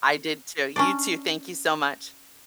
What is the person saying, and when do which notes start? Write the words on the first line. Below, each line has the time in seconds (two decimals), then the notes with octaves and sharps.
I did too. You too, thank you so much.
0.76 C#4 D4 D5